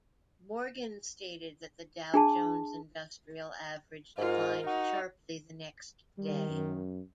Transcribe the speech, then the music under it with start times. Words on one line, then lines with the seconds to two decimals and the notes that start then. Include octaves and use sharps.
Morgan stated that the Dow Jones Industrial Average declined sharply the next day.
2.14 D4 G#4 A5
4.18 G#2 F4 A#4
4.67 D#4 F#4
6.18 D#3 G3
6.50 F#2